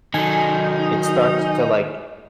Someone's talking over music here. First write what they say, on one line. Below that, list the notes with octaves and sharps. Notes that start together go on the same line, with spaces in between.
it's starts to, like,
D#3 F#3 D#4 A4 G#5